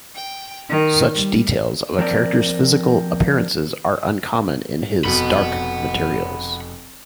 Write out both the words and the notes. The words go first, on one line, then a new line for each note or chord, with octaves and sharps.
Such details of a character's physical appearances are uncommon in "His Dark Materials".
G5
D#3
G3
F3 C4 A#4 D5
F1 B2 F#5 B5